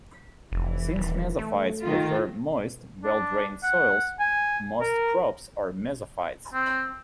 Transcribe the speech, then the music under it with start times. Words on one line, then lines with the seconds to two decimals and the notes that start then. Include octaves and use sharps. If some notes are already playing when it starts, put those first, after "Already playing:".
Since mesophytes prefer moist, well drained soils, most crops are mesophytes.
0.52 F1 E3
0.96 D#1
1.39 A3
1.82 D#3 F4
3.03 D4
3.63 F#5
4.20 G#5
4.80 A#4
6.54 C4